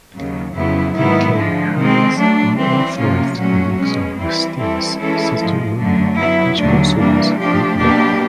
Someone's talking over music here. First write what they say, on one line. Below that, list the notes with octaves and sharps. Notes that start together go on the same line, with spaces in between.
Then came Hani's unauthorized remix of Sting's "Sister Moon" which also was bootlegged.
D#2 C#3 F#3
F2 C#3 F#3 B3 E4
G#2 D#3 F#3 B3 E4
D3 F3 G#3
D#3 G#3 C4
F#3 A3 D4
E3 G3 C4
C3 F3 A#3 C#4 F4
A#2 F#3 A3 C#4 F#4
B2 G#3 C#4
E3 G3 C4 E4
E3 G3 C4 E4 A4
E3 G#3 C#4 E4 A4
G#2 F3 G#3
F#2 D3 F#3 A3
F#3 B3 E4
D#2 D3 F#3 A3 D4
C3 E3 G3 A#3 D4
F3 A3 D4 G4
B2 F#3 A#3 D4 G4